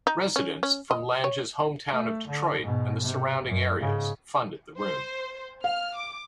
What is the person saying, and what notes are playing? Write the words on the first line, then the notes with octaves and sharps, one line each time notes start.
Residents from Lange's hometown of Detroit and the surrounding areas funded the room.
D#4
C#4
C#4
D#5
C#5
A3
D3
G#2 B2
C3
F#2
G#2 C#3
C5
F5 F6
D6